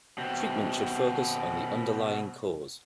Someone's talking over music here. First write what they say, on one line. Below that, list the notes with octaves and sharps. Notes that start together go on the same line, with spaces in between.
Treatment should focus on the underlying cause.
B2 C4